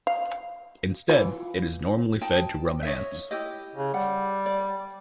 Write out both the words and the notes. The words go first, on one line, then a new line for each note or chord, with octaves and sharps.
Instead, it is normally fed to ruminants.
F5
E3 F4
D#4 G5 A5
C#5 D#5 E5
E4 G4 D#5
C#3
G3 F#5
D5